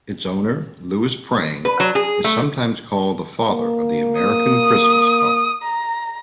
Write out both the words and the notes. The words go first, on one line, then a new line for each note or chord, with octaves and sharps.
Its owner, Louis Prang, is sometimes called the father of the American Christmas card.
B4
F#3
G#4
A3
A#3
D#6
A#5